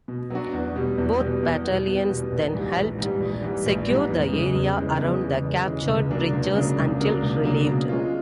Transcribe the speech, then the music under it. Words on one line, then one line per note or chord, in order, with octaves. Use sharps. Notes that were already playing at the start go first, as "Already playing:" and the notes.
Both battalions then helped secure the area around the captured bridges until relieved.
B2
F#3 B3 D4 F#4
E2
B2 G3 B3
E2
B2 G3 B3
E2
B2 G3 B3
E2
B2 G3 B3
A#1
G#2 E3 G3
A#1
G#2 E3 G3
A#1
G#2 E3 G3
A#1
G#2 E3 G3
E2
C#3 E3 G#3
E2
C#3 E3 G#3
E2
C#3 E3 G#3
E2
C#3 E3 G#3
C#2
C#3 F#3 A#3 D4
C#2
C#3 F#3 A#3 D4
C#2
C#3 F#3 A#3 D4
C#2
C#3 F#3 A#3 D4
B2
G#3 C#4 F4